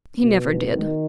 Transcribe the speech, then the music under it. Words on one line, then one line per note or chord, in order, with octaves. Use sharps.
He never did.
B2
D#3